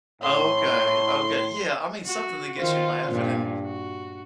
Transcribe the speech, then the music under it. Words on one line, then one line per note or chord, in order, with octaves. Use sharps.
Okay, okay yeah, I mean, something that gets you laughing and,
A2 C6
F#4
D#3 F4 C5
G2 A#2
F#4